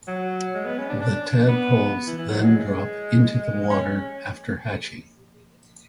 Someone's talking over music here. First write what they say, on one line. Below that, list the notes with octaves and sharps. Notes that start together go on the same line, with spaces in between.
The tadpoles then drop into the water after hatching.
F#3
G#3
B3
C#4
D4
D4
B3
E3
E3
F#3
G#3
C#4